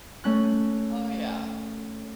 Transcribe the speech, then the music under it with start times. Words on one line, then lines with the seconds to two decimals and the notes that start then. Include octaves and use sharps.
Oh, yeah.
0.24 A3 C#4 F#6